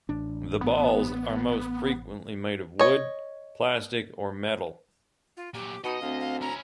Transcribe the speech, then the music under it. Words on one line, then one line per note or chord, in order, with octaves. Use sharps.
The balls are most frequently made of wood, plastic, or metal.
A1 D4
B3
C#5 D#5
F4
A#2 F#3 G4
B2 D#4 D#5
D2 C4 F5
F5
C#4 E4 A#5